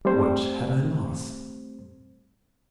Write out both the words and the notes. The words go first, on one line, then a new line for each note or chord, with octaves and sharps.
What had I lost?
G3 A3 C4 C5